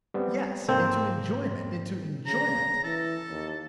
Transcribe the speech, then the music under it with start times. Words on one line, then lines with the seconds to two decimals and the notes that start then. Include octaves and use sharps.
Yes, into enjoyment, into enjoyment!
0.14 G3 B3 C4
0.69 G#2 A#3 C4 A4
2.27 C#3 A#5
2.84 E3 A4
3.30 D#2